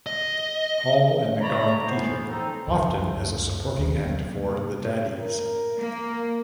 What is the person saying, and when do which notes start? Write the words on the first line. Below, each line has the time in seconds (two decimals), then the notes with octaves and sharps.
Hall and McDonald Theatre, often as a supporting act for the Daddies.
0.07 D#5
1.41 C#5 D5 A#5 B5
1.85 E3 B3 C5
2.28 F3 C4 D#4 A4
2.68 C#2 F#2 C4
3.79 D#2
4.03 C3 F#3 A#3 B3
5.18 A#4
5.79 A#3